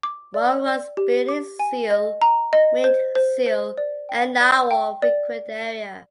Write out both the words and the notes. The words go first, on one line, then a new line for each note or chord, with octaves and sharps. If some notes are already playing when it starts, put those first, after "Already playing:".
Walrus, bearded seal, ringed seal, and narwhal frequent the area.
D6
D5
D5
G4
D6
G#5
D#5
A#5
D#5
C5
C5
C5
D5
G5
D5
G5
D5